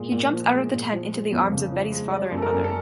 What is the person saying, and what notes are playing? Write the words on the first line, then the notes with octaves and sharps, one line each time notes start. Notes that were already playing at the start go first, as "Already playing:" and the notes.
He jumps out of the tent into the arms of Betty’s father and mother.
Already playing: A#2 G#3
A#2
F3
G#3
A#2
F3
G#3
F2
C#3
F3
G#3
G3 D5
F#2
A4
A#4
F#2
A4